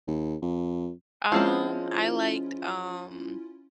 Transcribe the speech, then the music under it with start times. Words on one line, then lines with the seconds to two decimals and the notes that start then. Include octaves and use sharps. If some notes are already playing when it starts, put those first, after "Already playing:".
Um, I liked, um
0.08 D#2
0.42 F2
1.32 F3 G#3 C4 C#4 E4 F4